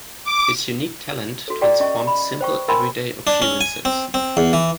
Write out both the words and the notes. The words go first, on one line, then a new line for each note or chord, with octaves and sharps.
His unique talent transformed simple everyday occurrences.
D6
F#4 A4
F#4 G4 D5 G5 A#5 D6
C#4 D#5 C#6
B5
C5 G5 C#6
A#4 G5 G#5 B5 C6
D4
C#4
G#5
C4
C4
E2
E3